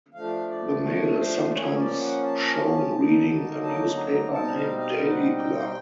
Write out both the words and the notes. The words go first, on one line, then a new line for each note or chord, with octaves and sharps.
The male is sometimes shown reading a newspaper named "Daily Blah".
F3 A3 D4 F5
D5
C#5
C5
F3 A#3 C#4 C#5
D5
F#5
A5
D3 F#3 A#3 D#4
A5
A#5
B2 G3 C4 D#4 A5
F5
F5
F#5
G5